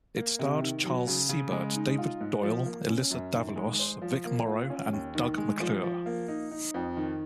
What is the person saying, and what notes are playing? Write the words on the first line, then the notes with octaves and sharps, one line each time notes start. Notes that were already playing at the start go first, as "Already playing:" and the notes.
It starred Charles Siebert, David Doyle, Elyssa Davalos, Vic Morrow, and Doug McClure.
A#3
C3
D#3
F#3
C#3
C#3
G#3
D#4
F4
G#2
F3
A#3
C#4
F#2
D#3
G#3
C5
F3
A#3
F4
C#4
D#2
D#3
G#3
F3
F3
A#3
D#4
D#4
F2
D#3